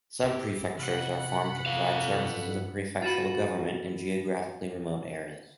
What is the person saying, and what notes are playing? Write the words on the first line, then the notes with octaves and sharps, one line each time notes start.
Subprefectures are formed to provide services of the prefectural government in geographically remote areas.
A#1 E4 G4
C3 F#5 B5
F2 A4 F5
G2
F4 F#4 B4